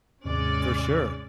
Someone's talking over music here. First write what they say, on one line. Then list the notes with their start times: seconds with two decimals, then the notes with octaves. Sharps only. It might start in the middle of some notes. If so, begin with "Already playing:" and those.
For sure.
0.25 D#2 G#2 C3 G#3 C#4 D5